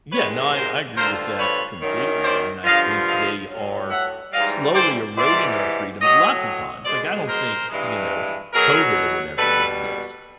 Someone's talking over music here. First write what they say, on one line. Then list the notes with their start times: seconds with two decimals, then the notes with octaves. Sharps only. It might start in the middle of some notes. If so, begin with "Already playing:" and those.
Yeah. No. I I agree with that completely. I mean, I think they are slowly eroding our freedoms, lots of times. Like, I don't think, you know, COVID or whatever was this.
0.12 C3 D#3 G#3 B4 C#5
0.54 A#4 C5
0.96 G2 D3 F3 A#4 C5
1.38 B4 C#5
1.81 F#2 D#3 F#3
2.22 C5 D5
2.64 G2 D3 F3 D#5 F5
3.07 D#5 F5
3.49 A2 F#3
3.90 E5 F#5
4.33 G#2 E3 G3 D#5 F5
4.75 C5 D5
5.17 G#2 E3 G3 C5 D5
6.01 A2 F#3 C#5 D#5
6.85 B2 G#3 C5 D5
7.28 A#4 C5
7.69 G2 E3 G#3
8.53 B2 F#3 G#4 A#4
9.37 B2 G3 A4 B4